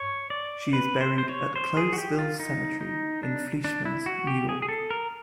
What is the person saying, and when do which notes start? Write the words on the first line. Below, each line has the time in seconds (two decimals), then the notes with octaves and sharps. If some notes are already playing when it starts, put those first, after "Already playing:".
She is buried at Clovesville Cemetery in Fleischmanns, New York.
Already playing: C#5
0.30 D5
0.73 B4
1.01 C5
1.18 C5
1.29 C#5
1.56 C5
1.77 G#4
1.93 F#4
1.98 G4
2.19 F4
2.40 D#4
2.81 D#4
3.23 D4
3.64 D4
3.85 E4
4.06 F#4
4.27 G4
4.49 G#4
4.62 G#4
4.69 A4
4.90 A#4